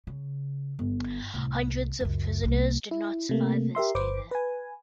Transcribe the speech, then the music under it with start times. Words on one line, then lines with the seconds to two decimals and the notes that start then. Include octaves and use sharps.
Hundreds of prisoners did not survive their stay there.
0.07 C#3
0.79 G1
1.34 C2 A2
2.00 C#2 F#2
2.43 C2 A#3
2.91 E4
3.29 C3 A3 A#3
3.75 G4 A#4 E5 C6
3.95 G1 B4 C5 D6
4.31 B4 G#5